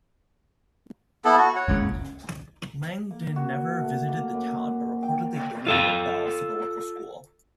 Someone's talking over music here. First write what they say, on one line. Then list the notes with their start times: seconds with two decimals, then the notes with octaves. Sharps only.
Langdon never visited the town, but reportedly donated a bell for the local school.
1.25 B3 E4 A4
1.38 F#4
1.56 C#5 F#5
1.68 F#1 C#2 C#3
3.11 A#3
3.36 F#4
3.80 A3
4.09 A#3
4.34 F#2
5.03 G5
5.67 F4 A4 F5